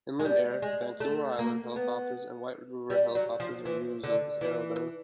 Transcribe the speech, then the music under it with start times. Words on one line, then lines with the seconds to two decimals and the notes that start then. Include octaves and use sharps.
Inland Air, Vancouver Island Helicopters and White River Helicopters are users of this aerodrome.
0.19 G#3
0.25 G3
0.62 G#3
1.00 A3
1.39 A#3
1.76 B3
2.90 G3
3.15 F#3
3.40 F3
3.65 E3
4.03 D3
4.41 E3